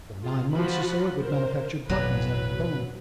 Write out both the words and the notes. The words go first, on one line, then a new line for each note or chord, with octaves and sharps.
For nine months or so it would manufacture buttons out of bone.
F4 G#4
F3 F4 F#4 B5
A#4 C5
A1 F2 B2 E3 F#3 B3 B4 A#5